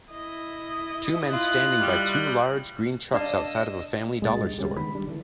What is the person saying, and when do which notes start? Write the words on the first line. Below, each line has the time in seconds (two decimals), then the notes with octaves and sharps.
Two men standing by two large, green trucks outside of a Family Dollar store.
0.12 E4 D#5
1.33 F4 F#6
1.81 G3
3.14 D4 D5 D#5 F5 E6
4.22 C#2 A#2 G#3 D#5 A6
4.37 G2
4.57 C2 D3 G3 G#3 C#4
4.77 D#3 G#3 B3 B5
4.95 G3 D4
5.07 D3 E3 A3